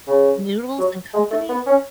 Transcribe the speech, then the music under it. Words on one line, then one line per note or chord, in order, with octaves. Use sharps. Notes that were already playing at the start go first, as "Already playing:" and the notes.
Noodles and Company?
C#3
F#3
G#3
A3
B3
C#4